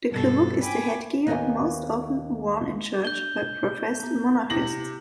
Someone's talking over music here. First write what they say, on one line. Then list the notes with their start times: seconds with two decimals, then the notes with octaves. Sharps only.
The klobuk is the headgear most often worn in church by professed monastics.
0.10 G2 B2 A4
0.63 G5 G#5 B5 D6
1.27 D#2 B3 A#4 B4 D#5 G#5
3.05 D4 G6 G7
4.00 A#3 B3
4.50 C3 E4 A#6 F#7